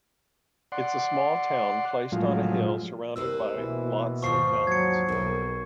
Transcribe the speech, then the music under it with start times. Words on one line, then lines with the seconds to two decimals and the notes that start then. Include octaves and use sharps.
It is a small town placed on a hill surrounded by lots of mountains.
0.72 D5 F#5 C6
2.12 A2 F3 F#3 G#3 F4
3.16 C2 A#3 B4 C5 E6
3.56 B2 E3
4.22 D#2 G#2 F3 F4 C#6 C7
4.67 F#3 G#6 C#7
5.08 B1 G3 A#3